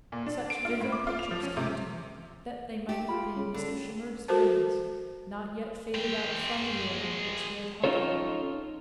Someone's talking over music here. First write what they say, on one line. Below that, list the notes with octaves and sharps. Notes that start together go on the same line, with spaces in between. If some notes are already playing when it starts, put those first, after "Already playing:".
Such vivid pictures came to me that they might have been Mr. Shimerda's memories, not yet faded out from the air in which they had haunted him.
A#2
D4
D7
F4
A2
D6
F4
F7
F3
C#4
C3
G4
F4 G#4 B5
C#3
D3
F#4 A4 A#4 C5 A5
G#3 G5
C4 C#4 D#4 F4 A4 C#5